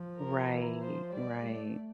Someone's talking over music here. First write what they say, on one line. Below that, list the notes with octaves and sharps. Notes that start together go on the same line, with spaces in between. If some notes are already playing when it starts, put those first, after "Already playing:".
Right, right.
Already playing: F3
A#4
E3
F3 C5
G3 D5
A3